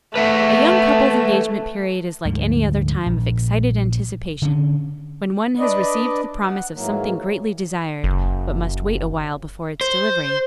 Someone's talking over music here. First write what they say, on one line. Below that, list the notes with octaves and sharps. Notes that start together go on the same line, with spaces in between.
A young couple's engagement period is like any other time of excited anticipation, when one has received the promise of something greatly desired, but must wait awhile before its delivery.
A3 B4 E5 F#5
D2 G#2 D3 F3
A#1
D3 C#4
D4 B4 D5 D#5
F#5
G#2 E3 F#3 A#3
F#1
C5